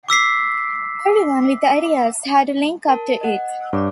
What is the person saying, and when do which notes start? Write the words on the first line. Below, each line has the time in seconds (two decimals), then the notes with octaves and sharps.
Everyone with ideas had to link up to it.
0.09 D6 E6 B6 C7
2.88 A#4 A5
3.21 D#5 F#5
3.73 G2 C#5 D5 D6